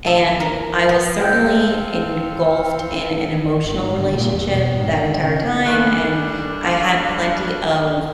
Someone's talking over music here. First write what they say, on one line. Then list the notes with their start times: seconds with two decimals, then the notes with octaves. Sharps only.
and I was certainly engulfed in an emotional relationship that entire time, and I had plenty of
0.07 A4
0.40 A#4
0.89 B3
1.20 C4 A4 F5 G5 G6
3.65 G1
3.84 G#2
4.00 D3
4.14 A#2
4.33 E2
4.47 B2
4.75 G#2
4.92 D3
5.22 C#3
5.66 D#3 E3 G3 D4 E4 A4 F#6